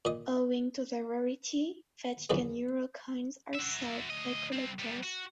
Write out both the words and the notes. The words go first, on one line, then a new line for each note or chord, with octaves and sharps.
Owing to their rarity, Vatican euro coins are sought by collectors.
A#2 D#5
A#1 E2 C#3 B3
F#4 E5
D2 D#5
C2 C4
G3 B3
F#4